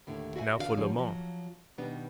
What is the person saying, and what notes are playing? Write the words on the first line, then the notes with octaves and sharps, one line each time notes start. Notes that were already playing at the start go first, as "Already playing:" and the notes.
"Now for La Mon."
D#2 A2 D3
F#4 E5 F5 G#5
E2 D3 D4 F#4 F5
D3 F3 G3 A#3 C#4
F3 F#3
B2 D#3 G3 B3 D4